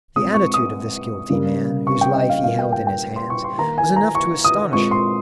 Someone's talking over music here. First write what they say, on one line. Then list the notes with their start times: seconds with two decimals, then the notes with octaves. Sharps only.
The attitude of this guilty man, whose life he held in his hands, was enough to astonish him.
0.16 A#2 G#3 C4 D#6
0.34 C#6
0.54 D#6
1.30 C#3 G3 A#3
1.87 C#6
2.01 G5
2.15 D#5
2.30 F5
2.44 A#2 G3 A#3 F5
2.59 G5
2.73 G5
2.87 G5
3.16 C6
3.30 C#6
3.44 C6
3.58 D#3 A#3 A#5
3.78 G#5
3.96 A#5
4.15 C#6
4.44 D#6
4.73 A#2 G#3 C4 C#6
4.91 C6